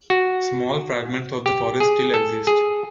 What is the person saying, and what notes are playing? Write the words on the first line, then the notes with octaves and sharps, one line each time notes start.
Small fragments of the forest still exist.
F#4
G4
G#4
A4
G#4